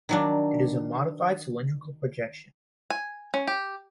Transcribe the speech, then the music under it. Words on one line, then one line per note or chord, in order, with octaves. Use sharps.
It is a modified cylindrical projection.
D#3 F#3 D4
G#5
C#4
G4